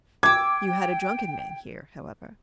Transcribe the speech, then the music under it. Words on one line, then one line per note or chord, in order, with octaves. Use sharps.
"You had a drunken man here, however."
G5 D6 E6 G#6